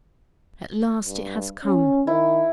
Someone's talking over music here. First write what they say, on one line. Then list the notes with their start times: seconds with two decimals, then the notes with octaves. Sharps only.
"At last, it has come!"
1.07 G2
1.65 C#4
2.07 D#3 E4